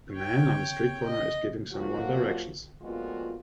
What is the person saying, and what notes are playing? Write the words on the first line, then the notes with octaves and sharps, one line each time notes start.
A man on a street corner is giving someone directions.
C#5 G5
D#5
F3 F#3 A#3 F4 F#4
F2 A#2 G#3 B3 F4 F#4